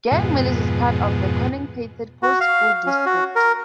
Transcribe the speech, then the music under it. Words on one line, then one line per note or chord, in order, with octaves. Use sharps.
Gang Mills is part of the Corning-Painted Post School district.
F2 G#2 B2
F#4
F5
C#4
F#4
A#4